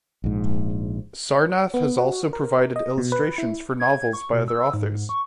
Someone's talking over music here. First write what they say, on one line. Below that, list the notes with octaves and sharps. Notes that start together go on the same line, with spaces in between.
Sarnath has also provided illustrations for novels by other authors.
A#1 G#2
B3
F#4
A#4
D#5
B2
B4
E4
G#6
C#6
B2
E6
G#2
C#6